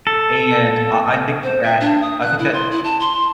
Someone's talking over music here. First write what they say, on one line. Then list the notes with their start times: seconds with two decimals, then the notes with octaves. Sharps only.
and uh, I think that I think that
0.07 A4
1.43 C5
1.63 E5
1.80 D4
2.02 D#6
2.21 F#6
2.39 E4
2.53 C6
2.71 E4
2.84 A5
3.00 C6